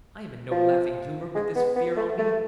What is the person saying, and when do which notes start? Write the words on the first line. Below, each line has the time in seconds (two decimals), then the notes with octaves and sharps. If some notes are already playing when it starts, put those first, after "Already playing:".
I am in no laughing humor with this fear on me.
0.51 F3
1.35 G#3
1.55 B3
1.76 B3
1.97 A3
2.18 A3